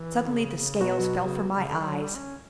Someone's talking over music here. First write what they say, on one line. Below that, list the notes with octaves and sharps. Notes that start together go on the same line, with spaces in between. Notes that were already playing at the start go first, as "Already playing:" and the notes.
Suddenly the scales fell from my eyes.
Already playing: E3
D3
C#3
C#3
B2 F#3 B3 F#4
C#3
C#3
D3
G3
F#3
G3
C#4